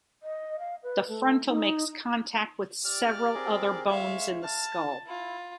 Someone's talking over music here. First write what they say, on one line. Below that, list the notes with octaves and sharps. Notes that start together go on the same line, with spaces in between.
The frontal makes contact with several other bones in the skull.
D#5
F5
B4
A3
D#4
G4 D5 F6
C4 G#4 A#4
G#3 C#5 E5 F5
A5 F6
E4 F4